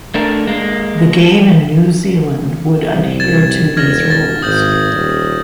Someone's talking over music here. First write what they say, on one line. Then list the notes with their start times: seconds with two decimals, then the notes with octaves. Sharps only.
The game in New Zealand would adhere to these rules.
0.14 A3 D4 A#4
0.47 G#3 A#3
2.91 C2
3.20 G#6 A6 E7
3.77 E1 F6 G#6 A#6
4.10 A6
4.42 G#1 D#6 G6 F#7
4.93 D#1